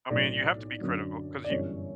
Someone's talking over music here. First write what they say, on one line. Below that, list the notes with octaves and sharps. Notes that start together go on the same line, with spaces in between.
I mean, you have to be critical, 'cause you
B1 A2 F#3 A3 D5
F#2 D3 F#3
D5
G1 F#2 E3 G3 C#5